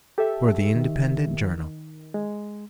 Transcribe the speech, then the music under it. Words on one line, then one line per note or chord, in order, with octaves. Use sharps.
For the Independent Journal.
G4 A4 E5
D#3
G#3